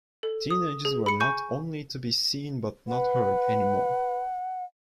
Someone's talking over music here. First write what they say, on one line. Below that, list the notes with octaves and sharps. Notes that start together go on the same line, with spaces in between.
Teenagers were not "only to be seen but not heard" anymore.
A4
D#6
G#4
B5 C#7
G#5 C#6 G6
B4 F#5